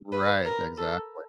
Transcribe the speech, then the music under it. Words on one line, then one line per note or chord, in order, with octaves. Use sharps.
Right, exactly.
B4
A#4
A4